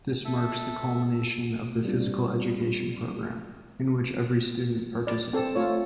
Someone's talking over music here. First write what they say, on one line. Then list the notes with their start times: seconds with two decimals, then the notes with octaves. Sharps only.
This marks the culmination of the Physical Education Program, in which every student participates.
0.25 A4 E5
1.85 G3 B3 C4 D4 F4
5.07 D5
5.33 C4 A4
5.55 A3 F4 C#5